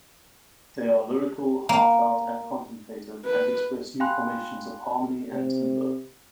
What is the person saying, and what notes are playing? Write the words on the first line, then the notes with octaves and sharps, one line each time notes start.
They are lyrical, heartfelt and contemplative, and express new formations of harmony and timbre.
A#3
B4
F5 G5 G#5 B5 C6 F#6
C3